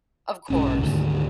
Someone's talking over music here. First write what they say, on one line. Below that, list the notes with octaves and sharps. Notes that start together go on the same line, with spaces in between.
Of course.
B1 G#2 C#4
D2 G#2 D3 D#3